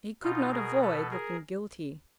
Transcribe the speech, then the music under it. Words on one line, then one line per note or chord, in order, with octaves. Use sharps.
He could not avoid looking guilty.
B2 D#4 F4
G#4 A#4
A4 B4
G#4 A#4